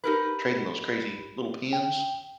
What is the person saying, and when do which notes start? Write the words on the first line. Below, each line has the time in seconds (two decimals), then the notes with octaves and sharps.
trading those crazy little pins.
0.04 D#4 G4 A#4 B4 B5
1.73 G5